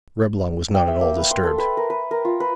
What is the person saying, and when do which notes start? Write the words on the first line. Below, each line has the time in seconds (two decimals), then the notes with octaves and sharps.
Reblong was not at all disturbed.
0.74 G5
0.88 E5
1.01 A#3
1.17 B4
1.31 C6
1.43 A4
1.58 B4
1.77 A#4
1.90 B4
2.11 A#4
2.25 F4
2.40 B4